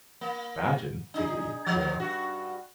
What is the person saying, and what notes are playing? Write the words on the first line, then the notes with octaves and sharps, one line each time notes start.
imagine to be, you know?
A#3
D4 D#4 G#4
F3 C#5
G2 F#4